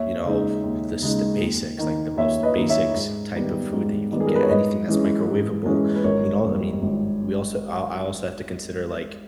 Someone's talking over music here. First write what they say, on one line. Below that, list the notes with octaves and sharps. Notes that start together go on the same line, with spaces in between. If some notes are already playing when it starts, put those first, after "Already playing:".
you know, the s the basics, like, the most basics type of food that you can get. Anything that's microwavable, you know, I mean, we also, I I also have to consider, like,
Already playing: D#2 C#5 E5
C#3 G#3 D#4
D#2
C#3 G#3 D#4
D#2
D#3 A#3
D#2 C#5 E5
B4 D#5
D#3 A#3
C#5 E5
G#2
D#3 G3 B3
G#2
D#3 G3 B3
G#4
A#4
B4
C#5
G#2 B4 D#5
E3 G#3 C#4
G#2
E3 G#3 C#4
B4
G#1 A#4 C#5
G2 G3 A#3
G#1